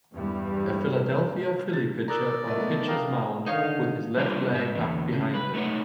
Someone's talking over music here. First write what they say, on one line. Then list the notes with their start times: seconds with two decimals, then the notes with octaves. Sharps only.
A Philadelphia Phillie pitcher on the pitchers mound with his left leg up behind him.
0.13 E2 G2 E3 G3
1.73 A6
2.08 A#4 D5 A#5 D#6 E6 F#6
2.47 F#3 A3 A#3 D#5
2.60 B3
2.88 A#4 F5 G5 A#5 D#6
3.46 D3 D#3 D#4 C#5 F5
4.17 G3 D4 F4 G#4 A#4 B4
4.52 G#2 E5
4.75 E2 D3
5.13 C#3
5.34 B4
5.54 A3 D#4 E4 A#4 C#5 F#5